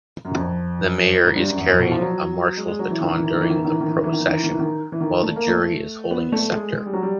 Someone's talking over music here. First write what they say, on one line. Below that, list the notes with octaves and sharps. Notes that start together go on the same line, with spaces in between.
The mayor is carrying a Marshall's baton during the procession while the jury is holding a scepter.
F#2
F2
G#2
G2
F#2
E2
F2
B2
E3
F3
F#3
G#3
G#3
F#3
E3
D#3
E3
D#3
E3
D#3
E3
D#3
E3
D#3
E3
D#3
E3
D#3
E3
D#3
E3
D#3
E3
D#3
E3
D#3
E3
D#3
A3
A#3
A3
B3
A3
G#3
G#3
G3
F#3
G3